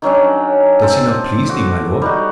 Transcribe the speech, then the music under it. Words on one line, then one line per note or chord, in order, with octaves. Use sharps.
Does he not please thee, my lord?
D#3 F#3 C#4 D4
C4 A4
F#4 D5
G3 D#4 F#4